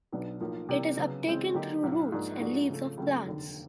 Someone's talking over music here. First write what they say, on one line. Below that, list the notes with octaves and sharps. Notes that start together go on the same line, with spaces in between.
It is uptaken through roots and leaves of plants.
B1 B2 F#3 B3 D4
B1 A2 F3 A#3
C3 E3 G3 A#3 D4
C#3 F#3 B3
C#3 E3 G#3 C4
D3 F#3 A#3 D#4 G4
B1 A2 F#3
G#2 F3 A#3 D4
G#2 F3 A3 D4 F#4
C#3 F3 A3
C#2 C#3 F#3 A3 C#4
F1 D#2 D3